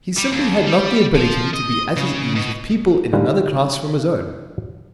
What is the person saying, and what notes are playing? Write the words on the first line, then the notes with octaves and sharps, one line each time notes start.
He simply had not the ability to be at his ease with people in another class from his own.
G3
D#2
G3
F3
D#5
C#3
B2
D3 G3 D#4 F4 G#4 B4